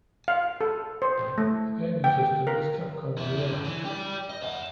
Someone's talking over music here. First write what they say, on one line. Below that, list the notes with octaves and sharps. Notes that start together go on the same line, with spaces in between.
The gaming system is Capcom vs.
F5
A4
C5
A3
G5
A#4
E2 E4
B1 D3
E3
G4 D5
D#5
E5 F#5